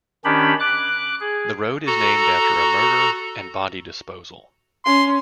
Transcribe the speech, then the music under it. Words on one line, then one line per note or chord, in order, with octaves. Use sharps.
The road is named after a murder and body disposal.
D#3 C#4 D4 G4 B5
D6 F#6
G#4
F#4 A4 A#5
C#4 C6